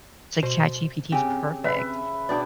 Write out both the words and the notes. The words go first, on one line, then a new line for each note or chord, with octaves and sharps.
it's like ChatGPT is perfect.
B2 C5
C#3 C4 G4 G#5
B4 E5
B2 D4 D5 G5 D6